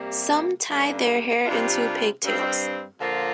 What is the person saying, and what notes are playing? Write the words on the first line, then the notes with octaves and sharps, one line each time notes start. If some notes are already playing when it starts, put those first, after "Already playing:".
Some tie their hair into pigtails.
Already playing: C3 G3 A#3
G2 D3 G3 A#3
C3 G3 D4 F4
G2 G3 C4
D3 F3 A#3 F4